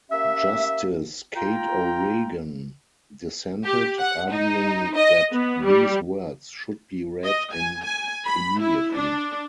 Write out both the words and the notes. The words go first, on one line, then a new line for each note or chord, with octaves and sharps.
Justice Kate O'Regan dissented, arguing that these words should be read in immediately.
A#3 C#4 G4 E5
F4 G5 A#5
G4
F#5
D#4
D#5
B3
G3
D#5
G#5
G#5
B5
E4
D4